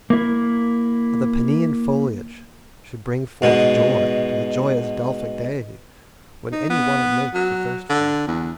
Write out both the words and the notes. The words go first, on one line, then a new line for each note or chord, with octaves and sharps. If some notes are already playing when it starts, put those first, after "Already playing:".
That the Peneian foliage should bring forth Joy to the joyous Delphic deity, When any one it makes to thirst for it.
A#3 E4
G#2 B2 B3
D#4
B3
F#3
D3
E2